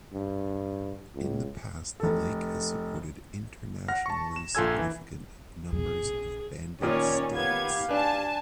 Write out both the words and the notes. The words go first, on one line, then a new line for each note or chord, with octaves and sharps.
In the past the lake has supported internationally significant numbers of banded stilts.
G2
C#2
F1 A4
F#5 F6 A#6
A5 C#6
E7
A#1 F4 A4 G#5 E6 G#6
E3
A#1 E2 G#4
A#1 C#4
A#2 D#3 C#4 C#5 D5
B3 G4 F5 G#6
D4 B4 G#5 A5